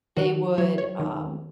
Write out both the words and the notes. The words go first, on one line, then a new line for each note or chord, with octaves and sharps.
They would, um
D#3 F#4
F#3 C#5
C#5
D#3